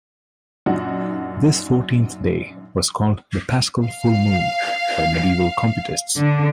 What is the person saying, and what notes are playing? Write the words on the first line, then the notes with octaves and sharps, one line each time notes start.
This fourteenth day was called the "paschal full moon" by medieval computists.
F#2 A#2 D4 D#4 F#4
F5
D3